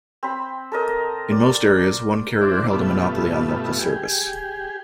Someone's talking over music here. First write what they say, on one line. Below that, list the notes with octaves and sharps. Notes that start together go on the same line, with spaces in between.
In most areas, one carrier held a monopoly on local service.
C4 B5
A4 A#4 D#5
D5
D4 E4 C5 D5
G2 B2 A3 B3 F4 E5
G4 G#4